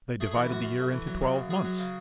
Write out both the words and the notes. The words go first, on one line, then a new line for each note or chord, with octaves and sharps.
They divided the year into twelve months.
A3 G#4
G#4
E3
E4
F#2 F#4
F#2
A3
E3
F#3
C#3
F#2
F#2 G#4
F#3
C#3